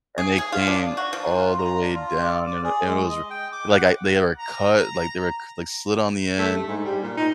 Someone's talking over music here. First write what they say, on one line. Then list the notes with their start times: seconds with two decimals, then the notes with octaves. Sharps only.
and they came all the way down, and it was ri like, I they were cut, like, they were c like, slid on the end,
0.18 G#4
0.38 G#4
0.52 F4
0.68 D4
0.97 F#4
1.13 F3
1.36 F4
1.59 A#5
1.80 D4
1.94 F4
2.22 D5
2.47 D5
2.64 G#4
2.86 G#3
3.09 D#5
3.30 G5
3.53 D6
3.70 F#5
4.38 A#5
6.38 A3
6.52 G2
6.68 G#2
6.85 G3
7.02 A#2
7.17 D#4